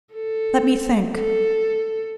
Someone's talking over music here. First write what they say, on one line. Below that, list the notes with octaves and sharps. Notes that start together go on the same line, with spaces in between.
"Let me think."
A4
A4